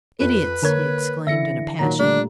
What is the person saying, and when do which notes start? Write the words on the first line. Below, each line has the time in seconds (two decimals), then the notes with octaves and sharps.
'Idiots!' he exclaimed, in a passion.
0.20 F2 B4
0.62 D3 A#3 A#4 C#5 G#6
0.87 A#3
1.27 D3 E3 E5 A#6 C#7
1.79 A#2 D#3 F#3 A#5
1.99 A#2 G3 A3 D4